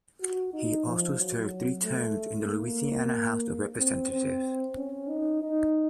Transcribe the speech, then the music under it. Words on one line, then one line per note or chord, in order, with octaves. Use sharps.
He also served three terms in the Louisiana House of Representatives.
F#4
D#4
F3
F#3
A3
A#3
C4
C4
C#4
D#4
D#4